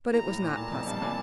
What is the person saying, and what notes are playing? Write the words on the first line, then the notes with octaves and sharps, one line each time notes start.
But it was not possible.
A2 A#5
A2
A#2
A2 A5
F2
G2
A#2